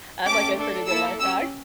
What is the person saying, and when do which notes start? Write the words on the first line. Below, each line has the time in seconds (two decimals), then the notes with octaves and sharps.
That's, like, a pretty good life hack.
0.25 A3 C#4 G4 D6
0.57 D4 A4
0.87 A#3 E4 A4 E6
1.19 C#4 G4 E6